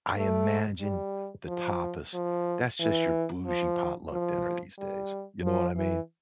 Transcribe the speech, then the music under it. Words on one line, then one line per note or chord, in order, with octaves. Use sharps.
I imagine the tapas, that's just your bougie potluck dinner these days, you know what I mean?
A3
G3
F3
F3
E3
F3
F3
G3
F3
E3